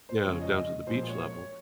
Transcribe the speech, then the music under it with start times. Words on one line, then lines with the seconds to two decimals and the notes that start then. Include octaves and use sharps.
you know, down to the beach level,
0.09 C5
0.24 F2 C#3 F3 G#3 C#5
0.41 D#5
0.56 D#5
0.87 A#2 F3 G#3 C5
1.08 C#5
1.30 C#5